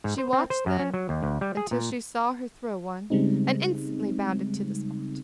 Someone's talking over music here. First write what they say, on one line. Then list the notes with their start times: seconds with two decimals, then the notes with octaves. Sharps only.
She watched then until she saw her throw one, and instantly bounded to the spot.
0.04 G#2
0.18 C5
0.33 C4
0.50 C5
0.66 F#2
0.79 C#4
0.94 F#3
1.09 D#2
1.23 D2
1.41 G3
1.57 G#4
1.71 A#2
3.10 C#3 G3 G#3 C4 D#4